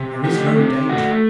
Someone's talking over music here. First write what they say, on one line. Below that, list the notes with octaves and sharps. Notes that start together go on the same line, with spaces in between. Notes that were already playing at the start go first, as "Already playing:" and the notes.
"There is no danger."
Already playing: C3
A3 G4
C3
A3 F#4